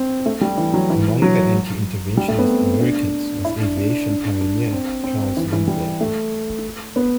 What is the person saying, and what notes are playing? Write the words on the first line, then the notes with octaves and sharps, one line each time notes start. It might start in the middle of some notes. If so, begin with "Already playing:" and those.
Among the anti-interventionist Americans was aviation pioneer Charles Lindbergh.
Already playing: C4
A3
G3
E3
F#3
E3
F#3
G3
A3
B3
C4
D4
E4
D4
D4
D4
D4
D4
C4
C4
E3
E3
G3
A3
B3